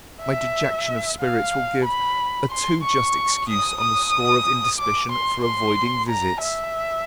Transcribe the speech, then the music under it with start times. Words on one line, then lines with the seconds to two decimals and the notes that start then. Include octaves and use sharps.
My dejection of spirits will give a too just excuse on the score of indisposition for avoiding visits.
0.23 E5
1.21 F5
1.85 B5
2.51 C6
2.84 C#6
3.49 D#6
3.81 D#6
4.79 D6
5.12 C6
5.44 C6
6.09 A#5
6.42 E5